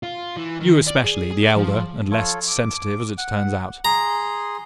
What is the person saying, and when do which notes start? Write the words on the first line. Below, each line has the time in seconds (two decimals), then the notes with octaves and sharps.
You especially, the elder; and less sensitive, as it turns out.
0.03 F4
0.37 E3
0.61 D#3
0.87 D5
1.04 G#4
1.31 G#4
1.44 D5
1.56 F3
2.11 F4 A4 C#5
2.48 D6
3.18 F#5
3.85 G#4 A#5 C6